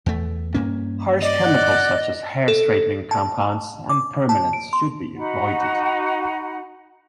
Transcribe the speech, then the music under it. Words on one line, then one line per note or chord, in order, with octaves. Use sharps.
Harsh chemicals such as hair straightening compounds and permanents should be avoided.
E2 A3
G2 A#3 C#4
D5 D#5
F#5
A4
A5
D6
A5
D7
C6
D#4 F#4 F#5 B5